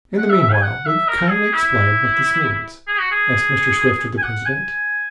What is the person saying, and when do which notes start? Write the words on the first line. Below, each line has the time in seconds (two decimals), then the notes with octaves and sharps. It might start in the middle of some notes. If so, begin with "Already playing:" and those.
"In the meanwhile will you kindly explain, what this means?" asked Mr. Swift of the president.
0.18 F#5
0.30 E5
0.41 E5
0.53 G#5
0.63 F#5
0.86 E5
1.08 A#4
1.30 G#4
1.53 E4
2.87 G#4
2.99 F#4
3.11 G#4
4.18 G#5
4.22 F#5
4.46 G#5